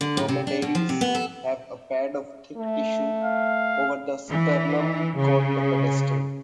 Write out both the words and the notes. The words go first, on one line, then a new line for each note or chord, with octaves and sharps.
Dromedaries have a pad of thick tissue over the sternum called the "pedestal".
D3
A2
C3
D4
B2
F3
C3
B3
A4
A3
F5
E3
C#3